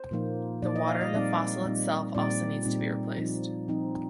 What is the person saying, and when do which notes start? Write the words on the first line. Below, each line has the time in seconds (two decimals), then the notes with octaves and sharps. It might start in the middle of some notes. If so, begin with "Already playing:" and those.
The water in the fossil itself also needs to be replaced.
Already playing: C5
0.11 A#2 F3 A#3 D#4
0.62 A#2 F3 A#3 D#4 D5
0.76 D#5
0.88 F5
1.01 D#5
1.13 A#2 G3 C4 D#4 D5
1.65 A#2 G3 C4 D#4
2.15 A#2 G3 C4 D#4 D5
2.66 A#2 G3 C4 D#4
3.17 F3 C4 D#4
3.68 F3 C4 D#4